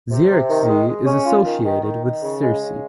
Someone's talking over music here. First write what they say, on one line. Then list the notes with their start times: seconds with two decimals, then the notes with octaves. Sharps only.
Zierikzee is associated with Circe.
0.11 C3
0.30 C3
0.49 D#3
0.68 G#3
0.88 G#3
1.06 C#4
1.25 F4
1.44 D#3
1.65 D#3
1.83 D#3
2.03 D#3
2.22 C#3
2.41 G#3
2.61 C#3